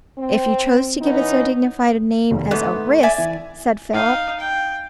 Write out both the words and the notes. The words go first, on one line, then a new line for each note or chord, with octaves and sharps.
'If you chose to give it so dignified a name as a risk,' said Philip.
C4
E3 B3 C#4 D#4
F1 D#2
G#2 A3 B3
D5 E5 G#5
E3
D#4 F5
G5